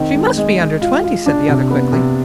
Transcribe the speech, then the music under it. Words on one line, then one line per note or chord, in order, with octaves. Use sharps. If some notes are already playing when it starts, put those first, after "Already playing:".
"She must be under twenty," said the other, quickly.
Already playing: D#3 C4
G#3
G#3
G#3
F4
F4
D4
C3
B3
C3